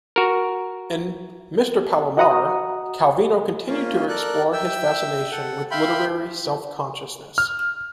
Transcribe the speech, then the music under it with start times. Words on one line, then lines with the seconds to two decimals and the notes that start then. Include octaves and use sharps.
In "Mr. Palomar", Calvino continued to explore his fascination with literary self-consciousness.
0.16 F#4 A#4
2.17 F#4 D#5 F#5 A#5 D#6
3.68 A#3 C#4 F4
4.09 A4 A#4 D5 F#6
4.53 E5 G5 E6
5.31 A4 F#5
5.71 E5 F5 G5 B5 C6
7.38 F6